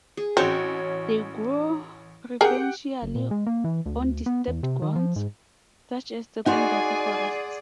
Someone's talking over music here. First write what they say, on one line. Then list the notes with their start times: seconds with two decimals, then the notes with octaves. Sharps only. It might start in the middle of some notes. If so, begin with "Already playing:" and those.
They grow preferentially on disturbed grounds, such as secondary forests.
0.17 G#4
0.37 A1 C4 C#4 F#4 C#5 G5
2.41 G4 G#4 A#4 F#5 G5
3.02 F#1
3.15 A#2
3.31 G#3
3.46 A#3
3.64 E3
3.86 D2
4.26 B3
4.48 E2
4.63 C3
4.82 D#3
4.96 F3
5.16 G#2
6.46 D#4 F#4 G#4 D5 F#5 G#5 C6